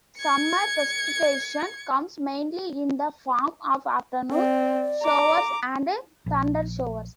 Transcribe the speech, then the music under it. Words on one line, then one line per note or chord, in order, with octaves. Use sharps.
Summer precipitation comes mainly in the form of afternoon showers and thundershowers.
G#6 C#7
C4 D5
A#5 D6
A#1